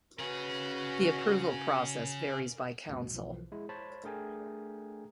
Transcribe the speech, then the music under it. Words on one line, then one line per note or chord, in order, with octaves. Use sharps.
The approval process varies by council.
C#3 C#4 F#4 G#4 B4
D2 G2 B2
B1 E3 F3
G#3 E4
C5 C#5 A5 B5
A3 D4 G#4 A#4 G5 G#5